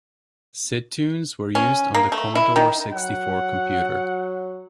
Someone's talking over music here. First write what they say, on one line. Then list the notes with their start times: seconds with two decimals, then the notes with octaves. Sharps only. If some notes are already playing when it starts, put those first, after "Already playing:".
Sidtunes were used on the Commodore sixty four computer.
1.55 C#4
1.94 A#3
2.12 A3
2.35 E4
2.56 D#3
2.94 F#3 F#5